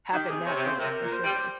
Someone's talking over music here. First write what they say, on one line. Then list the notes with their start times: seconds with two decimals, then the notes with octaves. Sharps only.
happen naturally for sure.
0.12 D#3 G4
0.29 C3 G#4
0.46 C3 C#5
0.56 C3
0.63 C#3 C5
0.79 C3 A#4
1.01 A#2
1.07 A#4
1.13 C5
1.24 G3